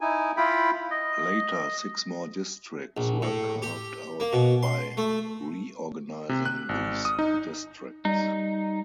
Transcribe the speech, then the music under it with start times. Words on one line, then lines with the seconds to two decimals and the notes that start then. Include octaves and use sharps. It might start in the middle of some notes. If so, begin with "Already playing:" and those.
Later, six more districts were carved out by reorganizing these districts.
0.01 D#4 E4 G#5
0.37 E4 F4 G5 B5
0.91 D#5
2.97 A#1
3.22 A2
3.62 G4
4.20 A#3
4.33 B2
4.63 C6
4.97 A3
6.29 C3
6.46 F#6
6.69 G#1
7.05 D#6
7.19 D#4
8.05 G3 D#4